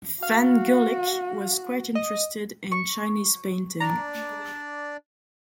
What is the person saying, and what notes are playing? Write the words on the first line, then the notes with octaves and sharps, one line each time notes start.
Van Gulik was quite interested in Chinese painting.
F#4 F5
D#5
C#6
D4 D5 A#5